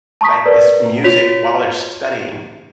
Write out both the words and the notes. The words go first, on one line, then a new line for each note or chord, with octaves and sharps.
like, this music while they're studying.
A5 A#5 C#6 D#6 B6
A#4 B4 D5
F4 F#4 C#5 B6 F7